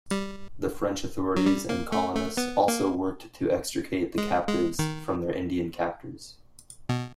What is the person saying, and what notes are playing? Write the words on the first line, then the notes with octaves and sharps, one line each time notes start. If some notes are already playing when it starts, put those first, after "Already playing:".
French authorities and colonists also worked to extricate the captives from their Indian captors.
G3
F#3
G3
A#3
A3
A3
B3
A#3
G#3
G#3
D#3
B2